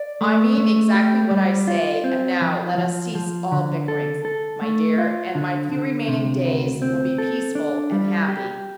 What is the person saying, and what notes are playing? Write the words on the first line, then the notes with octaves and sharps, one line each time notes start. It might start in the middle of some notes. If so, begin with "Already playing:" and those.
"I mean exactly what I say, and now let us cease all bickerings, my dear, and my few remaining days will be peaceful and happy."
Already playing: D5
A3
A3
G4
G3
F4
C4
F3
F3
F3
D3
A4
A4
A3
F4
D3
D3
C3
D2
C4
A4
D4
G3
G4